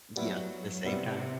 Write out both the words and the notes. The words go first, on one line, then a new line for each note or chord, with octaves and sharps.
Yeah. The same time.
F#3 G3 B3 E4
C3 G3 B3 E4